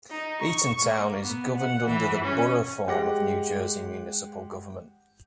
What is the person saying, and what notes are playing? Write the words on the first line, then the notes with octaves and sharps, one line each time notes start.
Eatontown is governed under the Borough form of New Jersey municipal government.
D#4
C#6
A#3
B3
F#5
E3
C#4
G#3 G4 F#5 D6 A#6